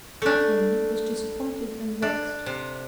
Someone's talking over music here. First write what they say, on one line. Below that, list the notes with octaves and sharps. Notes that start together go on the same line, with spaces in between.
Catherine was disappointed and vexed.
A3 D4
D4
C3